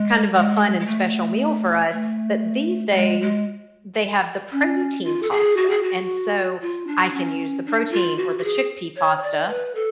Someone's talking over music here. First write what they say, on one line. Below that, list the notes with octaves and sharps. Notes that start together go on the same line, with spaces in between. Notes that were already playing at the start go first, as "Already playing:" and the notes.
kind of a fun and special meal for us, but these days, they have the protein pasta, and so I can use the protein or the chickpea pasta,
Already playing: G#3
G#3
G#3
A3
A3
A3
G#3
G#3
C#4
F4
A4
G#4
F#4
G#4
F#4
F4
D4
C#4
D4
F4
F#4
F#4
G#4
C#5
C#5
D5
B4
A4